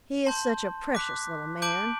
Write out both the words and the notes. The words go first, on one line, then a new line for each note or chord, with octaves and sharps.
He is such a precious little man.
A5 C6 G6
D6 F#6 B6
A5 D6 G6 D7 F#7